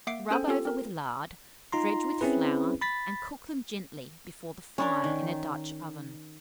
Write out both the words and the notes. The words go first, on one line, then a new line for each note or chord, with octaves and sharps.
Rub over with lard, dredge with flour, and cook them gently before the fire in a Dutch oven.
A#3 E5 F#5 D6 C7 D7
C#4 G#4 A4 C5 G5 G#5
C4 F4 G4 A4
C4 A#4
D#4 F4 A#5 C6
C4 C#4 E4 G#4 B4
B5 A6 B6
C#4 D4 A#4
D#3